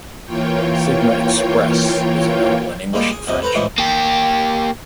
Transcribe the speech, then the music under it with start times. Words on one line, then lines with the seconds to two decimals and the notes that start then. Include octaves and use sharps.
Sigma "express" is available in English and French.
0.25 E3 A#3 F4 C#5 G5
2.93 G3 G#3 A#3 F4 D5
3.11 G#4
3.27 E2 C3 F3 D#5
3.42 A4 B4 C5 A5 A#5
3.54 A1 G#2 E3 F3 G#3
3.78 A#3 G4